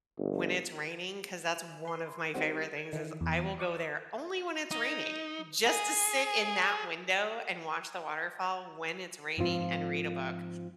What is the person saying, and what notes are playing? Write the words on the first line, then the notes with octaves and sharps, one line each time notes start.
when it's raining 'cause that's one of my favorite things is I will go there only when it's raining just to sit in that window and watch the waterfall when it's raining and read a book
G1
B4 C6
D#3 G3 C4 F#4
G#6
D#3 E3
E2
D5 C#6 D#6 E6
D#4
G#4
G#2 F3 C4 F4